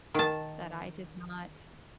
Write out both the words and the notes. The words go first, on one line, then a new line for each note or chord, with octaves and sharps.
That I did not,
D#3 A5